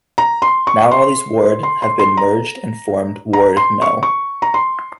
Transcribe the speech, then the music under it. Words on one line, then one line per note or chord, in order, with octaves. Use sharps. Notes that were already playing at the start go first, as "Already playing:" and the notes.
Now all these ward have been merged and formed ward no.
A#5
C6
C#6
C6
C6
C6
C6
A#5
A#5
C6
C#6
C#6
A#5
C6